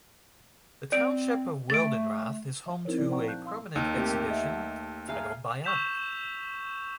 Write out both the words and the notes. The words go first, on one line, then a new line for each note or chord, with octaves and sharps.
The township of Wildenrath is home to a permanent exhibition, titled "Bionic".
C4 D5 D7
A3 A6 D7
F3 E5
C4 D#4 E4 A#4 C5 C#5
A#2 F3 E4 D5 G#6
C5 D5 F#5 G5 A#5 C#6
F5 A5 A#5 F#6 G6
F5 C6 E6
D#2 D#4 A#4 D6
A3 C4 G4 A#4
D#5 E5 F#5
G#4 E5 F5 A#5
C#6 E6 G6 B6 E7 F7